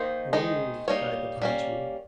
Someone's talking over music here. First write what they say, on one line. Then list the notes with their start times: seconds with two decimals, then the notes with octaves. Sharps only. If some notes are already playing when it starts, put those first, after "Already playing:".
"Oh!" cried the pine tree.
Already playing: D#3 A#3 D#4 C5
0.33 D#3 G#3 D#4
0.88 G3 A#3 D#4 C#5
1.42 G3 A#3 C#4